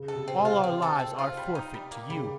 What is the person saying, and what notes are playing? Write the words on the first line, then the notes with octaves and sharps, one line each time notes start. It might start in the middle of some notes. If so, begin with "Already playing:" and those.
All our lives are forfeit to you.
Already playing: C#3
A4
C3
C4
C3
F4
C4
A4
C4
F4
G3
D#4
G3
A#3
C#3 G3